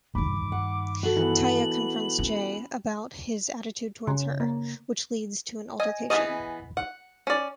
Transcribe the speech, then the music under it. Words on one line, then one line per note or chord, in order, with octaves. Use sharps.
Tia confronts Jai about his attitude towards her, which leads to an altercation.
G2 D#3 B5 D6
F#5
F#4 A4 F#7
E3 B3
C#4
C#3
A#3
D#5 G#5
E3 B3 F#4 G#4 D#5
F#5
C#4 D5